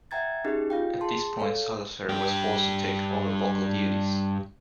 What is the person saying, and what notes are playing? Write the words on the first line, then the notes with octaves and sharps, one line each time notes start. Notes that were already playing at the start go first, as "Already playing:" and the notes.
At this point, Salazar was forced to take over vocal duties.
E5 F#5 G5 A#5 G#6 A6
C#4 D#4 G4 G#4 D#5
F4 F5 G5
G#4 A5 C6
A4 C#5 F5
G2 G4